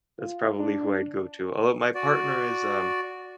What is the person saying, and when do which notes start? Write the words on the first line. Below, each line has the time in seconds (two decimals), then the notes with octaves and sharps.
that's probably who I'd go to, although my partner is, uh,
0.19 F4
0.58 D4
1.95 F#4 D5